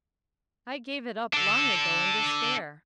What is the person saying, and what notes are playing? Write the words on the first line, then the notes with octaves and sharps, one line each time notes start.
"I gave it up long ago in despair."
D4 A4